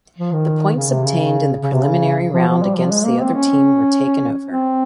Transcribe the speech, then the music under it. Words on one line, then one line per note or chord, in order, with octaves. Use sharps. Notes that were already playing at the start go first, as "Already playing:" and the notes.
The points obtained in the preliminary round against the other team were taken over.
F3
D#3
C#3
C3
C#3
C#3
C3
C#3
F3
F3
G3
F3
G#3
A#3
C4
C#4
C4